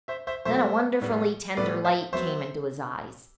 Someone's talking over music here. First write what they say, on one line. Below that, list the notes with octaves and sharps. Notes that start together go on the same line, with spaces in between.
Then a wonderfully tender light came into his eyes.
C5 E5
C5 E5
B2 F#3 A3 C5 E5
A2 G3 B3
A2 G3 B3 B4 D5
C5 E5
F#3 B3 C5 E5